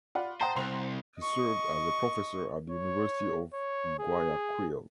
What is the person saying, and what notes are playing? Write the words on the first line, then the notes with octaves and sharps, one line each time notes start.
He served as a professor at the University of Guayaquil.
F4 D5 F#5 B5
C5 F#5 G5 A5 A#5 C6 D#6
C2 C5 C6 F7
D#5 C#6
C#5
C#5
G#4